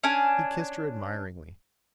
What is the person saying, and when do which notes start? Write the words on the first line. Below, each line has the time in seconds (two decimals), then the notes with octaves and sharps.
He kissed her admiringly.
0.04 C#4 D4 G#5